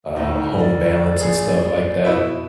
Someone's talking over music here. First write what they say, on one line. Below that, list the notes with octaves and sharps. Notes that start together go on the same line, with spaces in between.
um, home balance, and stuff like that.
D2 A2 D#4
D5
A#1 G#4
B2 E4 B4 E5